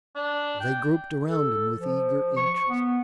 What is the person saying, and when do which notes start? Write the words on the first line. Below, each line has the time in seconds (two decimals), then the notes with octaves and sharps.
They grouped around him with eager interest.
0.15 D4
0.60 G5
1.26 A4
1.77 F3
2.36 C#6
2.69 B3